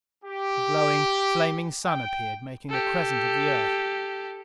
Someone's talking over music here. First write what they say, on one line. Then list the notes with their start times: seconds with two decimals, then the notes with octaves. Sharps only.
The glowing, flaming Sun appeared, making a crescent of the Earth.
0.25 G4
1.86 G5
2.69 G4 A4